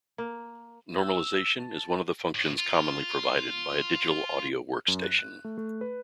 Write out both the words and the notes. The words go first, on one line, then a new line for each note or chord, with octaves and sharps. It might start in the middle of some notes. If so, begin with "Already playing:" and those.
Normalization is one of the functions commonly provided by a digital audio workstation.
A#3
E6
A5
A2
F4
F#2
F#6
F#6
A3
A3
B4